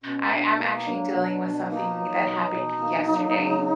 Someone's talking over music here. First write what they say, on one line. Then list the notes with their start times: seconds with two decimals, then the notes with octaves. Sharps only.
I I'm actually dealing with something that happened yesterday.
0.03 B2 C#4
0.31 B2 D4
0.58 A#3 D#4
0.86 F#3 D4
1.14 B2
1.41 B2
1.64 D4
1.69 A#3 D#4
1.97 F#3
2.24 B2
2.52 B2
2.80 A#3
3.08 F#3
3.35 C#3